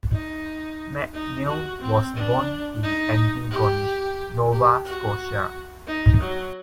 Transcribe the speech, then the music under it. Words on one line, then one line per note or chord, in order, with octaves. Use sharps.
MacNeil was born in Antigonish, Nova Scotia.
D#4
D#4
F#4
C4
D4
D#4
G4
G4
F#4
D#4
F#3